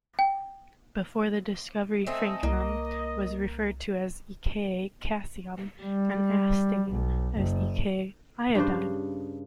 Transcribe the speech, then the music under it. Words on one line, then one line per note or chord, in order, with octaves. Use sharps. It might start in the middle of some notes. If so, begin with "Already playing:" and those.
Before the discovery, francium was referred to as "eka-caesium" and astatine as "eka-iodine".
G5
A3 C4 D#5 G#5
C2 A#3
G3
B1
F#1
G2 C#3 D4 C5